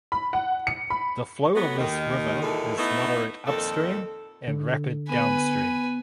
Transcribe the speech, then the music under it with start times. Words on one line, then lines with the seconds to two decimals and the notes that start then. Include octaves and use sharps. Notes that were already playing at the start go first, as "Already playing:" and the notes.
The flow of this river is moderate upstream and rapid downstream.
0.12 B5
0.33 F#5
0.67 C#7
0.90 B5
1.54 F#3 A3 B3
1.78 D#2 D#3
2.42 D#2 A#2 E3 G#3 A4
2.78 A3 B3 D#4 E4
3.47 F2 A#2 D#3 A4
4.48 D3
5.09 B3 B4 G#5